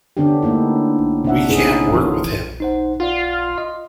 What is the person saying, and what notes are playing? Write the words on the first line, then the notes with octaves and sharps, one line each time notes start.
We can't work with him.
D3 B3 C#4 D4 G4
A3 A#3 D#4 E4
C3 D4 E5 F#5
C#4 D#4 E4 G#4 B4
E3 F4 A4
D#4 C5 F#5
F4 D5 F5 F#5
D#5